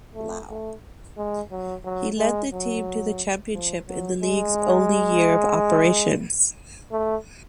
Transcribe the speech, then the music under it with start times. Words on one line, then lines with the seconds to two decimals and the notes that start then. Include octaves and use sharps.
He led the team to the championship in the league's only year of operations.
0.15 A3
0.50 A3
1.17 G#3
1.51 F#3
1.84 F#3
2.18 G#3
2.52 F#3
3.54 F3
3.88 F#3
4.22 G#3
6.92 A3